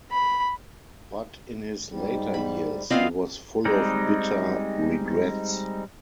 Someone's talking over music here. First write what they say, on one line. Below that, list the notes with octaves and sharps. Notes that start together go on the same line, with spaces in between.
But in his later years he was full of bitter regrets.
B5
G#2 G3
B5
B3 C4 F4 D#5 F5 B5
G3 G#3 C4 D#4